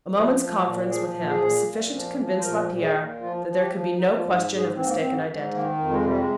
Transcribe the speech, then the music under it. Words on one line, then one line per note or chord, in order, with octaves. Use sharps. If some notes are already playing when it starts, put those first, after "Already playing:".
A moment's conference with him was sufficient to convince Lapierre that there could be no question of mistaken identity.
F3
F3
A#2
F3 G#4
A#2
G#4
A#2
A#2
F3
F3
C5
A#2 A#4
A#2
G#4
A#2
F3 F4
F3
G4
F3
F3 D#4
F4
G#2
F4
G#2
G#4
G#2 C4
A#3
G#2 C4
G#2
D#3 A#3
F2
G#3
C3 G3
G#3